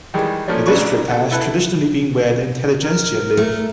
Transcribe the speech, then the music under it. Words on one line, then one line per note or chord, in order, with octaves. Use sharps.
The district has traditionally been where the intelligentsia live.
D#3 E3 G3 G#3
F3 A3 A#3 C#4 D4
A1 C#3 G#3 D4 B4 C#6
F#4 A4
E4 A4 B4 F#6
A#4
A3